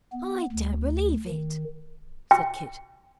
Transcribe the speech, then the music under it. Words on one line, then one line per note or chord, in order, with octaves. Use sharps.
'I don't believe it,' said Kit.
B3
D2
D#3
G5